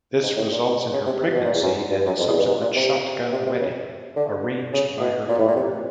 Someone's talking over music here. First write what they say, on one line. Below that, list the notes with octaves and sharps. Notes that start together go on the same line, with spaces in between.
This results in her pregnancy and a subsequent Shotgun wedding arranged by her father.
G#2
A2
A#2
B2
C#3
C3
C3
B2
A#2
E2
F#2
G2
F#2
F2
E2
G2
G#2
A#2
C3
C3
C3
C#3
D3
C#3
B2
A#2
A2
A#2
C3